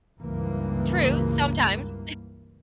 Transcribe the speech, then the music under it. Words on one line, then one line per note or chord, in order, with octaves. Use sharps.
True, sometimes.
C#2 G2 E3 A#3